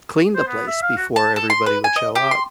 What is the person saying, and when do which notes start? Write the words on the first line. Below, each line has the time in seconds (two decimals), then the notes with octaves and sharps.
clean the place before everybody would show up.
0.35 C5
0.48 B3
0.67 E5
0.82 F5
0.97 F#4
1.16 A5
1.36 A4
1.50 C6
1.66 B4
1.84 G#5
1.96 D#5
2.15 G4
2.31 C6